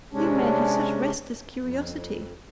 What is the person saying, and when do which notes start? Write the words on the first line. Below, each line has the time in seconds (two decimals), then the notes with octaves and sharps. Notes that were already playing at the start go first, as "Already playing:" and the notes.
You men have such restless curiosity!
0.13 C3 G#3 C#4 D4
1.57 F2